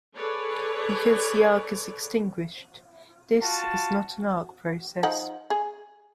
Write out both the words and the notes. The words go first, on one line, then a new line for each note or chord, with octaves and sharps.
Because the arc is extinguished, this is not an arc process.
G#4 A4 B4 C#5 D5
F4 F#4 A5
F3 D#4 F#5
G#4